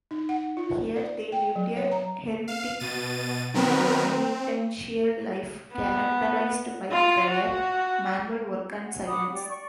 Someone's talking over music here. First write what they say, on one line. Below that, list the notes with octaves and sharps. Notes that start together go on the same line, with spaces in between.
Here they lived a hermitic penitential life characterised by prayer, manual work and silence.
D#4
F#5
F4
D5
G5
F#3
C#5
A#5
F5
B2 A6 D#7
D#3 F#3 B3 C4 A#4 B4
C4
B3
F4
F#4
F#5
F#5 B5 D6 D#6
G4 D5
D5 C#6